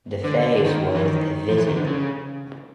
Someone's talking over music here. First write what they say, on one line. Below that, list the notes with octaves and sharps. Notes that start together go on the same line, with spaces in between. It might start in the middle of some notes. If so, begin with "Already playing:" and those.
The fair is worth a visit.
D3
D3
D#3
E3
D#3
F3
E3
D#3
D3
C#3